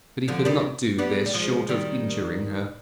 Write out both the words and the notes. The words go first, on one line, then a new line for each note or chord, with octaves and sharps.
But he could not do this short of injuring her.
D3 F3
D#3 G3
G3 B3
G3
F3 G#3
D#3 G3